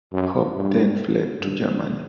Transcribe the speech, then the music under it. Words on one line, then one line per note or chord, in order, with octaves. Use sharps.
Hopp then fled to Germany.
F#2
G2
G2